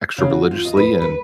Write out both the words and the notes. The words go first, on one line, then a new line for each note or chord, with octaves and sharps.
extra religiously and,
C#3
F#4
F4
D#5
B4
B4